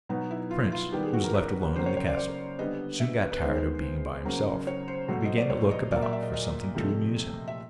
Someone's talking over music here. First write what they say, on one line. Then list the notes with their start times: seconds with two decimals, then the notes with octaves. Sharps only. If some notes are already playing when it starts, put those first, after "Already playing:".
The prince, who was left alone in the castle, soon got tired of being by himself, and began to look about for something to amuse him.
0.09 B2 F#3 B3 D#4
0.31 E4
0.51 F4
0.72 F4
0.92 D#3 G3 B3 G4
1.03 G#4
1.13 F#4
1.24 A#4
1.34 B4
1.76 C#3 F#3 A#3 C5
1.86 C#5
1.97 C#5
2.07 D5
2.17 D5
2.59 D3 G3 B3 D#5
3.00 E5
3.21 B4
3.32 B4
3.42 D#3 G#3 B3 C5
4.25 C#3 F#3 A#3
4.67 C#5
4.88 C5
5.08 B2 F#3 A3
5.25 D#5
5.38 D5
5.50 C#5
5.71 D#5
5.91 A#2 F#3 A#3 D5
6.02 E5
6.13 E5
6.23 D#5
6.34 D#5
6.75 C3 F3 A3
7.48 E5